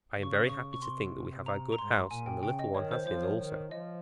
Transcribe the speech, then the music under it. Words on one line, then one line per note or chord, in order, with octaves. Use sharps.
I am very happy to think that we have our good house, and the little one has his also!
C#3
C#6
D#6
C#6
C#6
C3 C6
A#5
A#5
G#2 C6
A#2 G#5
G5
C#3 G5
D#5
D#3 C#5
C5
F3 C5
C#5
D#3
F3 D#5